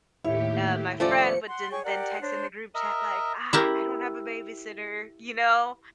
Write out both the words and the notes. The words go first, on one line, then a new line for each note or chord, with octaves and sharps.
uh, my friend would den then text in the group chat like, "Ah, I don't have a babysitter," you know,
D#2 A2 E4 G4 C#5
F3 A3 C#4 D5 C#7
F#5 C6
G#4 C#5 G5 C#6
G4 A#4 D5 F#5
D4 C5 C#5
A#4 D#5 E5
E4 G4 A#4